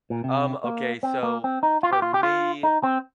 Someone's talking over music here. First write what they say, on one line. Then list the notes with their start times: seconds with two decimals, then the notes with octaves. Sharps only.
Um, okay, so, for me,
0.10 A#2
0.24 C3
0.64 A#3
1.03 C4
1.23 A#3
1.44 C4
1.63 D#4
1.83 F4
1.93 G4
2.02 F4
2.14 G4
2.23 F4
2.63 D#4
2.83 C4